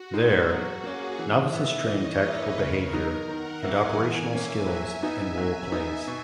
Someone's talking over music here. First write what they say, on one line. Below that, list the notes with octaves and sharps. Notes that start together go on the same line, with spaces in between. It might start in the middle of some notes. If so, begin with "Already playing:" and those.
There novices train tactical behaviour and operational skills in role plays.
Already playing: F#4
G#3 D#4
F#3 F#4
A#3 C#4 G#4
E3
B3 E4 D#5
E3 C#5
A#3 E4 B4
C#3 A#4
F#3 B3 D#4
D#3 F#5
F#3 A#3 E4 G#5
E3 G#5
A#3 C#4 E5
F#3
B3 D#4
F#3
B3 D#4
B2